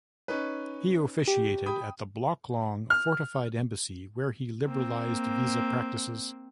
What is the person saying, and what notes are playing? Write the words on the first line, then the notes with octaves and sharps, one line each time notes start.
He officiated at the block-long, fortified embassy where he liberalized visa practices.
C#4 D#4 B4
G4
G5 B5 D#6
F6
A#3 C4